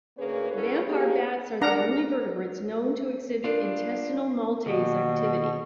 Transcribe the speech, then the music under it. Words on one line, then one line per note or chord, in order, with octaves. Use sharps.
Vampire bats are the only vertebrates known to not exhibit intestinal maltase activity.
D2 A#3 C#4 G#4 B4 C#5
B3 C#4 E4 G#4 A4 B4
A#3 G4 G#4
D4 A#4 F#5 A#5
D4 F4
D#2 B2